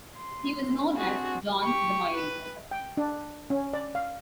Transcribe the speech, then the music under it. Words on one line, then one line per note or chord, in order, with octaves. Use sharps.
He was known as "John the Mild".
C6
C4 D4 F#4 G#4
G4 C#6
B4
G5
D4
C#4
D5
F5